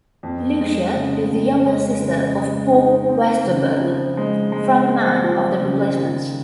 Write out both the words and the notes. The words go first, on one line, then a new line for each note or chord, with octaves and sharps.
Lucia is the younger sister of Paul Westerberg, front man of The Replacements.
F2
G#3
C#3
F2
G#3
C#3
G#3
D#4
C4
C#3
F3
G#3
G#3
C4
F3
C#3
D#3